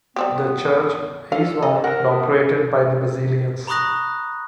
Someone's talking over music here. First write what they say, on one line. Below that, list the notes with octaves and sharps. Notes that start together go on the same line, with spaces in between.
The church is owned and operated by the Basilians.
G3 B3 C4 G4
A4 F5
D#5
A#4 F#5
B3
A#5 B5 C#6 D#6 F#6 A#6